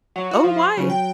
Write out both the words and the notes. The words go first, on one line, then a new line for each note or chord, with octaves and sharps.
Oh, why?
F#3 C#5
F4 F#4
F3
C6
C#3 F#3
G5